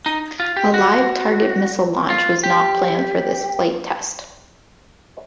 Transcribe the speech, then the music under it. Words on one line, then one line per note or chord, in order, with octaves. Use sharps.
A live target missile launch was not planned for this flight test.
D#4
F4
G4
F#4
F4
G4